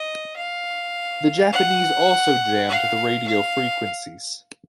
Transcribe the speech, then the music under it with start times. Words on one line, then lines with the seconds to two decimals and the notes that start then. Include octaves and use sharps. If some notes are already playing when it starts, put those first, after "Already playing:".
The Japanese also jammed the radio frequencies.
Already playing: D#5
0.36 F5
1.52 F#5
2.69 F5
3.27 F5